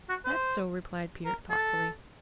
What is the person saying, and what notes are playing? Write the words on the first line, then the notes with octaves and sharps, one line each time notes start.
"That's so," replied Peter thoughtfully.
F#4
C5
A#4
A4